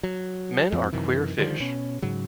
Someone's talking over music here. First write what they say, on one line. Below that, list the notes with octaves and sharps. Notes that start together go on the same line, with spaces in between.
Men are queer fish.
F#3
F2 F3 C4
F#2 C3 D#3 E3
D3 D#3 F3 G3
B2 C#4
G#2 C#3 F#3